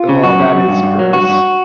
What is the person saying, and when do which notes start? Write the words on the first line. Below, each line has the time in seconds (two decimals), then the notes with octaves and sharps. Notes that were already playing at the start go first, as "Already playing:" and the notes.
Oh, that is gross.
Already playing: F4
0.09 C#3
0.23 F#2 F#4
0.39 C#3
0.54 F#2
0.69 G2
0.83 G2
0.99 F#3
1.13 G2 F#4
1.28 G2